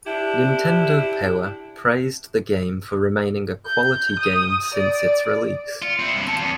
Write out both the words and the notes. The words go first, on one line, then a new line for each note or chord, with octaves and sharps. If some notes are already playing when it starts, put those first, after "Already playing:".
"Nintendo Power" praised the game for remaining a quality game since its release.
D4 E4 G4
G6
D#6
D5
F4 C#7
C4 E4
G2 B2
C4 A5
E2